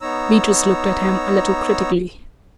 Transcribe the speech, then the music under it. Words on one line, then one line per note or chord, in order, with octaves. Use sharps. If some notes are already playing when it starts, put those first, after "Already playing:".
Beatrice looked at him a little critically.
B3 D#4 C#5 A#5 E6